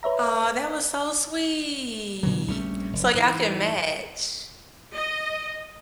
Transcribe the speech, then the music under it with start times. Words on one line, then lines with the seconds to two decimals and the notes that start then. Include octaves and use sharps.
Aww, that was so sweet, so y'all could match.
0.03 B4 C#5 E5 A#5
2.23 A#2 D3 E3 F#3
2.48 A#1 G3 A3 C#4
2.93 F#1
3.14 G#2 E3
4.95 D#5